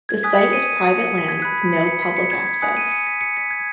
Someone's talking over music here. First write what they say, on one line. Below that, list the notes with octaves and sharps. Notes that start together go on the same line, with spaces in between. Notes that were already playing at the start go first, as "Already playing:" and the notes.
The site is private land with no public access.
G#6
G#5 D#6 F#6 B6
C#7
D#7
D#7
D#7
C#7
B6
G#6
B5 F#6 B6
B6
C#7
C#7
B6
C#7
G#6
B6
G#5 D#6 F#6 C#7
D#7
C#7
B6
C#7
B6
G#6